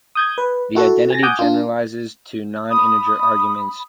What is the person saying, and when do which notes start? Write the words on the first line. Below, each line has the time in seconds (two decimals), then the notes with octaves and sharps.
The identity generalizes to non-integer arguments.
0.15 D#6 G6 G#6
0.38 B4
0.75 E4 F#4 A4
1.10 G#5 A6 A#6
1.23 F#5 G#5 D6 D#6 G6
1.39 D4 F4
2.70 B5 D#6